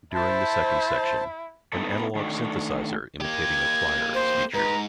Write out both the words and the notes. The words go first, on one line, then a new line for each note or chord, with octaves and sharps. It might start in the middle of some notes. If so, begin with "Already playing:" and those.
During the second section, an analog synthesizer imitating a choir is featured.
E4 C5 A5
B3 D#4 E4 A4 B4
D#3 A3 D4
A#3 G4 G#6
C5
G#2 B4 A#5